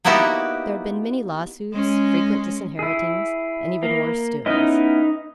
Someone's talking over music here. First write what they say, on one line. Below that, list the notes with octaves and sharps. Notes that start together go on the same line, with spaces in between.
There had been many lawsuits, frequent disinheritings, and even worse doings.
A#3 B3 D#4 E4 F#4 G4
G#3 C#4
E4 G#4
A#3
B3 C#4 D#4 E4 D#5